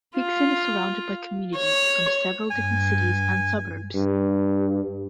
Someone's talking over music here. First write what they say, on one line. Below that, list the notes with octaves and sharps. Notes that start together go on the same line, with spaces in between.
Hixson is surrounded by communities from several different cities and suburbs.
F4
C#5
G2 G#5
G2